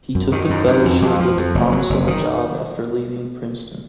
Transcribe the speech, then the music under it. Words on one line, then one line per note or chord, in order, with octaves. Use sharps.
He took the fellowship with the promise of a job after leaving Princeton.
F#2
D#3
F#2
F#2
F2
F2
F3
F2
F#1
F#3
F#1
D#3